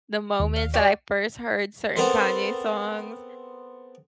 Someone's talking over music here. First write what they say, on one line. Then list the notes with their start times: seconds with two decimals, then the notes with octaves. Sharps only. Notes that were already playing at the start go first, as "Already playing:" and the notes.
the moments that I first heard certain Kanye songs.
0.40 D#2
0.56 F5
0.74 G3 F#4 G4
1.96 B3 C4 A4 A#4 C5